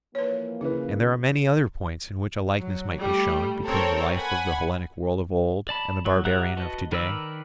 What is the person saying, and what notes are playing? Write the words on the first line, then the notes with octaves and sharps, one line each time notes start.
And there are many other points in which a likeness might be shown between the life of the Hellenic world of old and the barbarian of to-day.
E3 F3 A#3 B4 C#5
C#3 E4 B4
F#3
G3 A3
C4 A4 A#4 C#5
F#5 G#5 B5
D5 A5 B5
F#3
G4 E5 F#5 A#5 F#6
F#4 B4 D#5 A5
D#3 A#4 B4 D5 E6